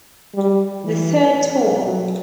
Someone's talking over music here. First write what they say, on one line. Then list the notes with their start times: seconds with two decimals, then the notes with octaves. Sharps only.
The third tour.
0.35 G3
0.84 E3
1.84 F#3